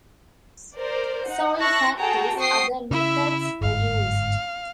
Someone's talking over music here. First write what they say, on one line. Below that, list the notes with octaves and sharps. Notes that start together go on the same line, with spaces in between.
So in practice, other methods were used.
A#4 C5 D5
D#4 F#5
E4 A5 C#6 E6 F#6 A#6
F#4 G#4 A4 G5 A5 A#5
C4 F#4 G5 C#6 D#6 C7
C#3 E4 E5
G1 G#2 F5